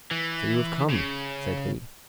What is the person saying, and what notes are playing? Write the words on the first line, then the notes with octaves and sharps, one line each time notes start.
"So you have come?" said he.
E3
C#3